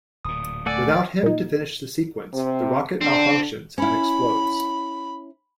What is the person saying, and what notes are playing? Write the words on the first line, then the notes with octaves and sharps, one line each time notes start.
Without him to finish the sequence, the rocket malfunctions and explodes.
D1 A#2 D#6
A3 D5 F#5 G#5 D6 E6
A#2 D#4
C3
D3 C4 D4
C#4 E4 B5